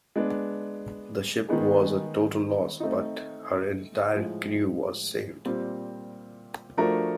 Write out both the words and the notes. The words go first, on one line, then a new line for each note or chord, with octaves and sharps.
The ship was a total loss, but her entire crew was saved.
G#3 B3 D4
D#3 G#3 B3 D#4 G#4
A3 C4 D#4
A2 F3 G#3
A#2 G3 C4
F3 A3 D4 F#4 A#4